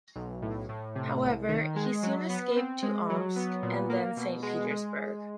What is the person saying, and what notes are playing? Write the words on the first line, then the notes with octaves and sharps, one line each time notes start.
However he soon escaped to Omsk and then to Saint Petersburg.
B1
A2
A2
C3
C2
D#3
G#3
F#3
B3
C4
G#3
F#3
B3
A#2
A#3
B2
G#3
G#3